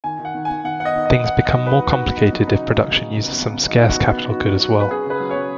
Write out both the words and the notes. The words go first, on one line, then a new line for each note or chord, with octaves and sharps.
Things become more complicated if production uses some scarce capital good as well.
D#3 G#5
D#3
F#5
D#3
D#3 G#5
D#3 F#5
B3 F#5
D#5
D#3
D#5
B3
B3 F#5
D#4 D#5
F#3
D#4 B4
B3 F#4
B3
D#4
F#3
C#3 D#4
C#3
C#3
C#3
C#3
B3
C#3
C#3
F#3 D#4
B3 F#4
B3
D#4
D#4 F#4
F#3
B3 F#4
F#3
B4
C#4 G#4
C#3 B4
F#3
F#3 C#5